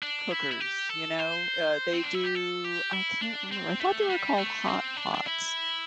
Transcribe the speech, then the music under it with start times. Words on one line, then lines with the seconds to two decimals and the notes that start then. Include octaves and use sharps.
cookers, you know? Uh, they do I can't remember. I thought they were called hot pots.
0.03 D4
0.31 E4
0.52 E4
0.60 G4
0.89 A4
1.19 C5
1.93 C4
2.03 D4
2.14 E4
2.24 G4
2.35 A4
2.64 G4
2.93 E4
3.21 D4
3.52 C4
3.80 A3
4.10 G3
4.38 A3
4.68 C4
4.97 D4
5.14 D4
5.25 E4